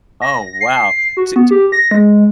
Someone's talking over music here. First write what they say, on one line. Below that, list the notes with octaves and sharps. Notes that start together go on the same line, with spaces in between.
Oh, wow, di di
A#6
C7
F#4
B3
G4
A#6
G#3